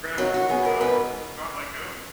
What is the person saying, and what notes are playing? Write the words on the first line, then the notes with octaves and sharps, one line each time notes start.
grab on to the guy and not let go.
F#3 D#4
F#4
B3 G#4
A#4
G#2 B4